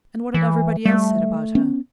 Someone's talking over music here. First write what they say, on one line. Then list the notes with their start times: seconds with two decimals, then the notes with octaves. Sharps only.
And what had everybody else said about her?
0.34 E3
0.85 G3 A3
1.55 B3 C#4